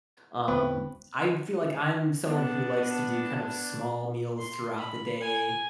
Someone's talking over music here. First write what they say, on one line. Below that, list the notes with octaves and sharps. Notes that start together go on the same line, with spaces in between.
Um, I feel like I'm someone who likes to do, kind of, small meals throughout the day,
E1 D2 B3 C4 B4
B3 D4 A5
C6
B5
G#5